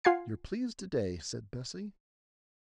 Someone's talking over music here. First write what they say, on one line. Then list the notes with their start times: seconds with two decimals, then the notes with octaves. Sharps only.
'You're pleased to-day,' said Bessie.
0.04 F4 F5 F#5 G#5 G#6 C7